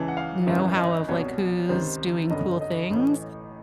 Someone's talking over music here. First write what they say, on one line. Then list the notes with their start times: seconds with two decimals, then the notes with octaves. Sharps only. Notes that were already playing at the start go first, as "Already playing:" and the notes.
knowhow of, like, who's doing cool things,
Already playing: C#2 C#3 E3 A5
0.08 F#5
0.17 F5
0.47 G#1 F#2 C#3 E3 E5
0.77 D#5
1.08 C2 B2 C#5
1.69 C#2 C3 D#3 C5
2.30 G1 F#2 D3 D#5
2.61 D#5
2.90 A1 A2 E3